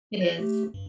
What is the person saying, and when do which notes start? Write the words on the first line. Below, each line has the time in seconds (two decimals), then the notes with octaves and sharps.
It is.
0.21 A#6
0.39 A3 G4
0.74 G2